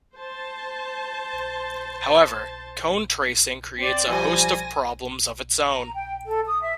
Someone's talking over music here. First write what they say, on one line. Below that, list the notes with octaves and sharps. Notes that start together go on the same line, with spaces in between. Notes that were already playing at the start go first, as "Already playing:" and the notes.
However, cone tracing creates a host of problems of its own.
C5 A5
C4 D5
F3 G3 C5 G#5 A#6
A#5
G5
A4
D#6
E5